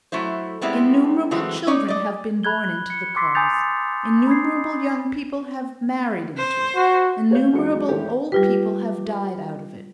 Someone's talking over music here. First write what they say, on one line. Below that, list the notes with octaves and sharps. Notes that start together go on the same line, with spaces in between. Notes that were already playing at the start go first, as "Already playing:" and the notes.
Innumerable children have been born into the cause; innumerable young people have married into it; innumerable old people have died out of it.
F#3 A3 E4 C5
G3 G#3 B3 C4 E4
E3 F#3 G#3 A3 C4
C#4 D#4 C#5 D5
D5 D#5
B5 F#6 G#6 G7
C#7
C6 D6 E6 A6 B6 C7
G#5 A#5 D#6 G6 A6 F7
B5 D#6 G#6 C7
C5
F#4
G4 C#5 F5 G6
E2 G#3 E4 F#4 C#7
F#3 G#3
E2 A2 D#3 G#3 A3 G4
G3 F4 G4 B4